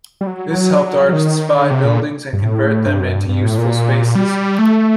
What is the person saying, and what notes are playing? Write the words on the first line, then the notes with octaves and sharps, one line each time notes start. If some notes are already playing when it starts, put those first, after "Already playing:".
This helped artists buy buildings and convert them into useful spaces.
G3
F#3
F#3
D#3
D3
C3
A#2
G2
A2
G2
F#2
G2
G2
A2
A#2
G3
A3